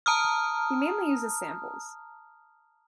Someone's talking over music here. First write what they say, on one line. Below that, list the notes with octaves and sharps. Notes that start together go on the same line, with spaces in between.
He mainly uses samples.
A5 A#5 D#6 F6